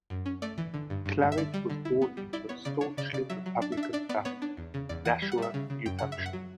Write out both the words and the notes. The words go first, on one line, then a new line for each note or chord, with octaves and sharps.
Clarridge was born into a "staunchly Republican family" in Nashua, New Hampshire.
F#2
C#4
A3 D5
E3
D3
G2
G2
G2
E5
D3 D5
G3
D3
E4
B3
G3
E4 D5
B3 C#5
C#3 D5
D4 C#5
C#3 D5
C#3 D5
F#3 E5
F#3
D4 D5
E5
D4
E5
D4 D5
B3 D5
B3 C#5
D4
E2
C#3
E2 D5
E3 F#5
G3
F#5
G3 E5
C#3
C#3
F#2 G5
C#3 F#5
E5
F#2
F#5
F#3